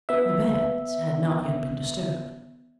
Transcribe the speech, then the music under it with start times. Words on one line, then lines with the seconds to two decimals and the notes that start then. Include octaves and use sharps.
The bed had not yet been disturbed.
0.09 B3 E5